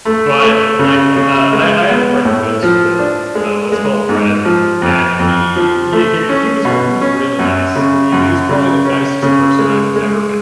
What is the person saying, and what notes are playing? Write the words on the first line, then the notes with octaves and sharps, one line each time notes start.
but, like, u uh, I I had a friend in middle school, uh, let's call him Brennan, and he he he he wa he was really nice. He he was probably the nicest person I've ever met
A3
A3
C#3
C#3
G#3
B3
A2
F3
D4
G#3
G#3
G#2
F3
F2
F2
F3
A3
C#4
B2
C#4
F#2
C#3
F#2
C#3
C#4
C#3
G#3
G#3